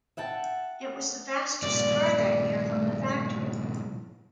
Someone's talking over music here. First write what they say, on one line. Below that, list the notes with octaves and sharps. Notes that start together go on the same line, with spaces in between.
It was the fastest car that year from the factory.
E5 F#5 G5 A5
G2 A#2 D5